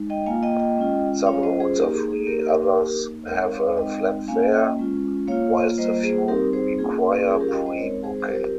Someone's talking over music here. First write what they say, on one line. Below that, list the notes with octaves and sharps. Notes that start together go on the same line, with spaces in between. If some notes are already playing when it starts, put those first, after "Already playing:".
Some routes are free, others have a flat fare, whilst a few require pre-booking.
Already playing: G#3 D#4
D#5 G5
A#3 F4 F5 G#5
D#5 G5
D#5 G5
G#3 C#4 F4
G3 C#4 F4 C#5 F5
C5 D#5
G#4 C5
A#3 D#4 G4 A#4
G#4
G#4
A#3 D#4 G4 A#4
A#3 D#4
G#3 C4 D#4 A#4 C#5
C#5 F5
G#3 C4 D#4 D#5 G5
A#3 C#4 F4 F5 G#5
D#5 G5
G#3 C#4 F4
A#3 F4 C#5 F5
G3 A#3 F4 C5 D#5
G#4 C5
G3 C4 D#4 G4 A#4
G#4 C5
A#3 C#4 F4 G#4
G#4
G3 C#4 F4 G#4
G4 A#4
F5
D#5 G5
C5 D#5
G#3 C4 D#4 A#4 C#5
G#4 C5
C5
G3 C4 F4 G4 A#4